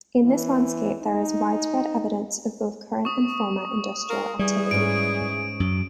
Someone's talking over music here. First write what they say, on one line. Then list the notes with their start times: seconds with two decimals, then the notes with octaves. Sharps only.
In this landscape there is widespread evidence of both current and former industrial activity.
0.24 E3
1.03 D#4
3.05 C#6 D#6
4.09 F4 A#4
4.39 E3 G3 G#4
4.71 G#2 C#4 D7
5.60 F#2